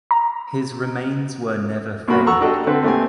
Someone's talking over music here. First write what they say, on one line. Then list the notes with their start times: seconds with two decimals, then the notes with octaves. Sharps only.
His remains were never found.
0.11 A#5
2.08 B1 A#2 A#3 F#4 B5
2.26 A4 F#5 A#5 C#6 E6
2.41 D4 F#4 G4 A4 D#5
2.67 D3 C4 A4 B4
2.83 A#2 A3 C4 G4 G#5